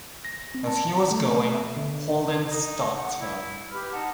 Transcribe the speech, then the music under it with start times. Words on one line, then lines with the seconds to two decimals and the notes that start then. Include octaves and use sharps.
As he was going, Holden stopped him.
0.25 A#6
0.55 C4
0.67 A5
0.98 F#4
1.11 A3
1.54 E5
1.77 D3
2.45 D#4
2.93 F#5
3.18 E4
3.70 G4 B4 B5 F6
3.92 D#4 F#5 A5